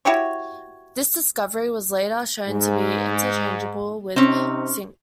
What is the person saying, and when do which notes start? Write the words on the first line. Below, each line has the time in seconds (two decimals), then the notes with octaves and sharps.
This discovery was later shown to be interchangeable with "sinc".
0.05 E4 F#4 G4 C#5
2.48 G#2
4.16 C3 C4 C#4 D#4